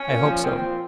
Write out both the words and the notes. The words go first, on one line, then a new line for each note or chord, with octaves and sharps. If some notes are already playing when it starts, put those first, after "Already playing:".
"I hope so."
Already playing: C#4
A#2
F3
A#2 C4
F3